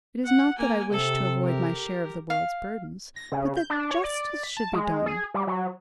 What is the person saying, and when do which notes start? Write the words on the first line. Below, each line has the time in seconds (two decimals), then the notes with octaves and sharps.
It is not that I wish to avoid my share of the world's burdens, but that justice should be done.
0.25 F#5
0.58 A#3 G#5
0.92 C3 A4
1.44 G4 A#4
2.30 F5
3.16 A#6
3.32 C#3
3.57 G6
3.70 D4
3.91 C#5
4.04 D5
4.43 B6
4.57 A5
4.73 G#3
5.06 G#4
5.34 G3
5.47 F#3